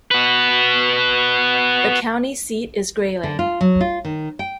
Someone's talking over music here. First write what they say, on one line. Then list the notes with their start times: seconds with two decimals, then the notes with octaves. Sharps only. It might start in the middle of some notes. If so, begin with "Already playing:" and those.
The county seat is Grayling.
0.11 F#4 B4
3.23 D3
3.39 F4
3.61 F#3
3.81 F4
4.05 D#3
4.39 G5